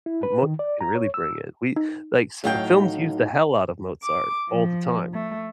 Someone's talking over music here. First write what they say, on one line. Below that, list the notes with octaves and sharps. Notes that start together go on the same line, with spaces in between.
Mozart can really bring it. We like films use the hell out of Mozart all the time,
E4
B4
D#3
D5
A#5
C#5
E6
D#4
A2 F#3 D#4 F5 G5
D6
F3
A3